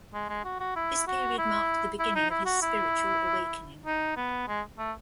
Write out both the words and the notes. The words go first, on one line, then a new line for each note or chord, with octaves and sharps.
This period marked the beginning of his spiritual awakening.
G#3
G#3
F#4
F#4
E4
F#4
E4
E4
D#4
E4
F#4
E4
D#4
B3
G#3
A3